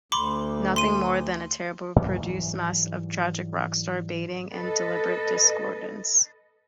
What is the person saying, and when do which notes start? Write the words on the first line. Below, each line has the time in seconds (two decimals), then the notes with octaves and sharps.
Nothing more than a terribly produced mess of tragic rock-star baiting and deliberate discordance.
0.12 D2 B5 C6 D6
0.76 C6 D#7
1.96 G#2 E3 F#3 G3
4.54 A4 B4 D#5